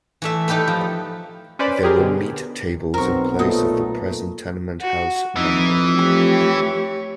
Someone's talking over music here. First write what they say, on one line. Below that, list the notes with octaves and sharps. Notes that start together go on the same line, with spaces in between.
There were meat tables in place of the present tenement house no.
E3 A3 E5
A3 D#4 G4 A4 B4
F3
C#4 B4 C5 D5 B5
G4 G#4 A#4
B2 D3
B1 B3 C4 A#4 C#6
A#2 A3 D#4 D#6
F#4
F2 E3 D#4
A3 G4 C#5